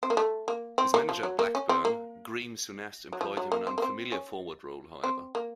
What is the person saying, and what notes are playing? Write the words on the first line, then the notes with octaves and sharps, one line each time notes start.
His manager at Blackburn, Graeme Souness, employed him in an unfamiliar forward role, however.
C4
A#3
A3
A#3
C4
A#3
F3
F#3
A#3
C#4
C4
A#3
F#3
F3
F#3
A#3
C4
A#3
C4
C#4
C4
A#3